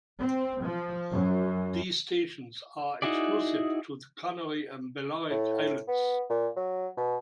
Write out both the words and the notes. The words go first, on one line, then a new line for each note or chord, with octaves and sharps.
These stations are exclusive to the Canary and Balearic Islands.
C4
F3
F#2
D#4 E4 F#4 G#4 D5
A2
B3
A#2
F#3
B2